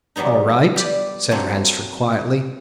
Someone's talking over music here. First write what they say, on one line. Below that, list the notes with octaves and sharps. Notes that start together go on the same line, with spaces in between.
"All right," said Ransford quietly.
E3 F#3 G3 B3 D#4
G4 B4 D5
F#3 A3 A#3 C4